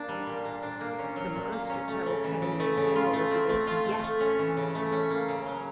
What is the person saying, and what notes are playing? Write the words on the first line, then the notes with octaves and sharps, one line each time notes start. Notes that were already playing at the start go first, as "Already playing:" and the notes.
The Monster tells Henry and Elizabeth Yes!
Already playing: A#3 D4
G3
A#2
A#3
D4
A#3
C#4
F#3
A#2
A#3
C#4
A3
C#3
E3
C#3
A3
C#3
F4
A3
C4
A3
F4
A3
A3
C#4
E3
C#3
A3
C#4
A#3
C#3
F#3